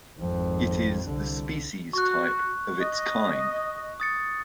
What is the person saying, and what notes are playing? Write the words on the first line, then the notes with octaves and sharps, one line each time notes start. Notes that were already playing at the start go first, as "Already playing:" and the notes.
It is the species type of its kind.
G#1 F2
C2 D3
F#4 C#6 F#6
D#5
D#6 A6 C#7